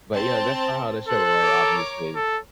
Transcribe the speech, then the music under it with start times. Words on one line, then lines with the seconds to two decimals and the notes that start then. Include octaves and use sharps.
But, you know, that's not how to show went, obviously.
0.14 C4 A5
1.08 A4 C5 F#6
1.40 A#4 C#5 D6
2.15 A4